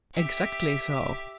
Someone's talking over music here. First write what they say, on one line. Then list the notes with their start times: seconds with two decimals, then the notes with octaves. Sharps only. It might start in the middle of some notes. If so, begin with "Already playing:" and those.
"Exactly so."
0.14 G4 E5